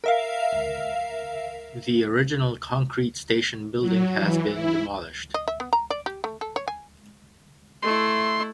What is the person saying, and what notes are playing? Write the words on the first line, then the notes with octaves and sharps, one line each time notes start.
The original concrete station building has been demolished.
A#4 E5 F5
F#3
E3
E4
D#5
E5
B3
A#5
D5
G4
A3
A4
C#5
G#5
A3 E4 C6